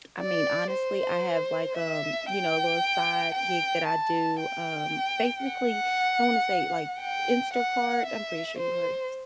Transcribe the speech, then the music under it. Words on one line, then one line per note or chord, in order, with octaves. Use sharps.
I mean, honestly, I have, like, um, you know, a little side gig that I do. Um, basically, I don't wanna say, like, Instacart. I'm pretty sure you've heard of s
D5
C5
E5
G5
G5
A5
G5
F#5
G5
F#5
E5
C5